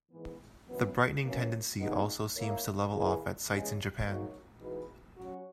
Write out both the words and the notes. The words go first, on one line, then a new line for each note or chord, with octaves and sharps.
The brightening tendency also seems to level off at sites in Japan.
G#2 E3 B3
F#2 E3 B3
F#2 E3 A#3 C#4
A#2 G#3 B3 D#4
A#3 E4 A#4 C#5
D#3 A#3 E4 G#4 B4
E2 C#3 G#3
G#2 F#3 A#3 D#4 F#4
E3 G#3 D#4 F#4 B4
F#3 C#4 F#4